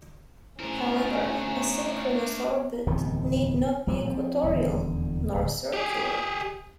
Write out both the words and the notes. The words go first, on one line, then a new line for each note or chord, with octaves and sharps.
However, a synchronous orbit need not be equatorial; nor circular.
A3 C#4 D4 E4 G#4 A#4 C5 F#5
D1 E2 C3 D#3
A#1 A#2 F#3 G#3
F3 A#3 C4
D#1 E2 D3
D1
G4 G#4